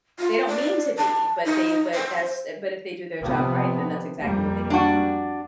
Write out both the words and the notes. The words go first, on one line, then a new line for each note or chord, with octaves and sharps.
They don't mean to be, but they but that's but if they do their job right, then that's exactly what they become.
F4
D5
A5
D#4
C5
C3 F3 B3
F2 G3 A#3
D4 F#4